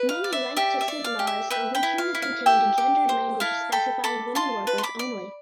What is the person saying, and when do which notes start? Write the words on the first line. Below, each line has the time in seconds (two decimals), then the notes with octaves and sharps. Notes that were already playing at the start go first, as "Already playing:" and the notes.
Many right to sit laws originally contained gendered language specifying women workers only.
Already playing: B4
0.09 F5
0.24 D5
0.33 E5
0.56 G4 E5
0.81 E5
0.88 D5
1.04 F5
1.19 G4
1.27 E5
1.50 B4 E5 G5
1.75 G5 B5
1.83 E4
1.98 F5
2.15 E4
2.22 F5
2.46 G4 E5 G5
2.78 G4
3.09 C5
3.40 E4 F5 A5
3.72 A4 G5 B5
4.04 A4 B5 D6
4.35 F4 A5 C6
4.67 B4
4.78 C6
4.83 B5 D6
4.99 D5